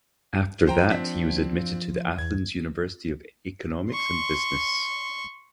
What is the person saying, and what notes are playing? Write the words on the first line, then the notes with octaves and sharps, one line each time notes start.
After that, he was admitted to the Athens University of Economics and Business.
F3 C5 G5 A#5
C4 D4 B6
E2 G#6
C6 C#6